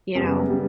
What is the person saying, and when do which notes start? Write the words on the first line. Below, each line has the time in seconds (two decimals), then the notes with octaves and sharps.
you know,
0.15 F#2 C#3 G3 B3
0.48 C#3 G3 B3